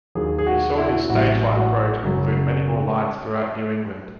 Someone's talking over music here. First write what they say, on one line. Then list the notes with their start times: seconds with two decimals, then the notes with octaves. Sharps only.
He saw his stage line grow to include many more lines throughout New England.
0.15 D#2 D#3 F#3 G#4
0.38 G#4
0.47 F#4
0.77 E4
0.86 F#4
0.95 E4
1.09 A1 A2 F#3 F#4
1.56 F#4
2.04 F#1 F#2 C#3 F#3